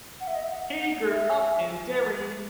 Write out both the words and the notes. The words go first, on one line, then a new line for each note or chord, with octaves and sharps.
He grew up in Derry.
F#5
E5
D#5
E5
F#5
F#5
E5